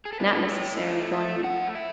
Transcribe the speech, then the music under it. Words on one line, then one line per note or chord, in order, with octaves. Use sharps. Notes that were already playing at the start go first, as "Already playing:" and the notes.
not necessarily going in a
G#4
A4
A3 B4
E4 C#5
A3 D#5
A3 E5
A3 F#5
E4 E5